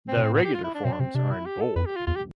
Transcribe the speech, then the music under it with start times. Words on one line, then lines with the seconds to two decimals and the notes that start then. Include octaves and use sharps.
The irregular forms are in bold.
0.08 C4
0.17 B2
0.23 A2 C4
0.34 B3
0.44 G4
0.54 F4
0.64 E4
0.75 D4
0.85 B2 C4
0.92 D4
0.99 C3 C4
1.14 C3 D4
1.31 E4
1.46 G4
1.61 A4
1.76 F2 B4
1.86 G4
1.96 F4
2.07 E2 F4
2.16 G4